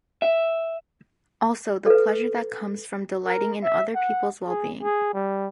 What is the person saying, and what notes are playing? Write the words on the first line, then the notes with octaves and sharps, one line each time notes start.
Also: the pleasure that comes from delighting in other people's well-being.
E5
A4 B4
A#4
E5
F#5
G#4
G#4
G3